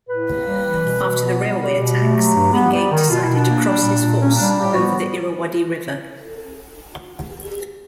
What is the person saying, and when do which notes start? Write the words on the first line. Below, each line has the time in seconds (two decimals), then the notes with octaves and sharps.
After the railway attacks, Wingate decided to cross his force over the Irrawaddy River.
0.09 A2 B4
0.28 A#3
0.46 G3
0.66 E3
0.84 B2
1.03 B2
1.22 B3
1.41 G3
1.60 B2 G4
1.79 B2
1.97 A3
2.15 F#3
2.34 G2
2.53 B3
2.72 G3
2.91 D#3
3.09 B2 F4
3.22 E4
3.28 B2
3.35 D4
3.48 A#3
3.65 G3
3.84 A#2
4.04 A#2
4.22 A#3 C#4
4.35 D4
4.41 G3
4.48 D4
4.60 A2 G4
4.73 F#4
4.79 B3